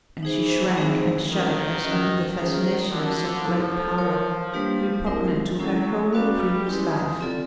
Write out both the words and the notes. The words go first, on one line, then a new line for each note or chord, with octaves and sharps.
And she shrank and shuddered as under the fascination of some great power, repugnant to her whole previous life.
E3 D#4 G#4 C5
G#3 C4 D#4 G#4 C5
D#3 C#4 F4 A#4
C#4 F#4 A#4 D#5
D#3 C#4 F4 G#4 C5
D3 C#4 F#4 A#4 D5
F3 E4 A4 C5
F4 A#4 C#5
G3 A#3 D4 G4 B4
G#3 C4 E4 G4 A#4
F#3 G#3 C#4 E4 A4
G3 C#4 F#4 B4 D5 F5
G#3 C#4 E4 G4 B4
C4 F4 A4 D5